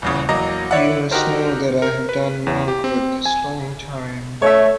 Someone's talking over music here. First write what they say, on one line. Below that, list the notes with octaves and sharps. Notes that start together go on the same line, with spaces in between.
You must know that I have done no good this long time.
D#1 E2 C#3
E2 F#3 A#3 D#5 A#5 D6
E4 C#5 D5 E5 F#5
D#4 F#4 G4 A#4 C5
A#4
B4
E2
G4
C4
G#5
A3 C#5 E5